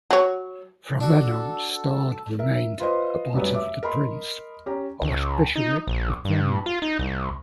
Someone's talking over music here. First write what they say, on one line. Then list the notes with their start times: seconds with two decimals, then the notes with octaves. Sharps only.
From then on Stade remained a part of the Prince-Archbishopric of Bremen.
0.11 F#3 C#5
1.00 D4 F#4 A4 A5
2.39 A#4 E5
2.80 F4 B4 C5 D#5 C6
3.34 F1 C2 F#2 B4
3.54 E5 D6
3.83 A#4 D#5 B5 C6
4.66 C#4 G4 A#5
5.02 C#2
5.56 D#4
5.87 A#1
6.25 G2
6.66 F4
6.82 D#4
6.99 C2